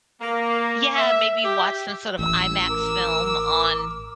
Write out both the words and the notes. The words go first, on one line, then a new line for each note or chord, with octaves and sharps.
yeah, maybe watch some sort of IMAX film on
A#3
E5
G4
A1 E6
A#4 D6